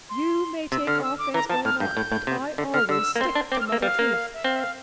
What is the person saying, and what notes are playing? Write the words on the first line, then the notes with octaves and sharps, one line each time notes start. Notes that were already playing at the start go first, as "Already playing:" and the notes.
You may take offense or not but I always stick to mother truth.
C6
C3 E6
D3 F6
E6
D6
E3 A#5
F3 A5
A2 F6
G2 G6
A2
A2
C3
D3
D3 F6
D3 E6
A#3
C4 C6
D4
C4 D6
F6
E6
A#3
G3 F5
A#3
E5
C4 F5
E5
F5